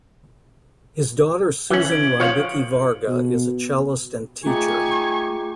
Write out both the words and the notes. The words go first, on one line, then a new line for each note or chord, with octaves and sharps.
His daughter Susan Rybicki-Varga is a cellist and teacher.
E3 C#4 F#7 G7
G#6 D7 F#7
F3 C#5 F5 C#7 F#7
B2
A3 D#4 F4 G4 G#4 G#5 C#6